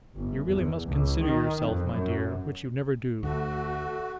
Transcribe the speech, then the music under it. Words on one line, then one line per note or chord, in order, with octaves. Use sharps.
'You really must consider yourself, my dear, which you never do.
G1
E2
C#2
D#3
F2
F#2
D2 A3 F#4